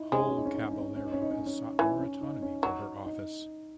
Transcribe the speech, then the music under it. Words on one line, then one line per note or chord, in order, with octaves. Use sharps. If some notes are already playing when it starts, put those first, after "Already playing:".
Hull Caballero has sought more autonomy for her office.
Already playing: D#4 E4
G#3 C#4
D#4
C#4
D#4
C#4
D#4
C#4
D#4
C#4
D#4
C#4
D#4
C#4
D#4
C#4
D#4
C#4
E3 C#4
C#4
D#4
C#4
F#3 D#4
D#4